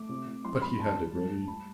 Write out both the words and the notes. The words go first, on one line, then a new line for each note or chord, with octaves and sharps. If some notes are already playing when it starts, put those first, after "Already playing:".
But he had it ready.
Already playing: A3 D6
C3
C3
F#3 C6
A1 B5
E1 A5
E1
G2
A3
G3 B5